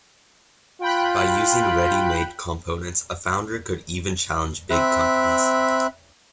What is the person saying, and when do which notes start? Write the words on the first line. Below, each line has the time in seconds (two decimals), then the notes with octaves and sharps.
By using ready-made components a founder could even challenge big companies.
0.81 F4 G5 B5 F#6
4.71 C4 E5 B5 F#6